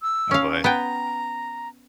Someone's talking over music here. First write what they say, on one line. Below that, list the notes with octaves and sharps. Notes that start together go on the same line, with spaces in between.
Oh, boy.
E6
C#4 F5
B3 G5 A#5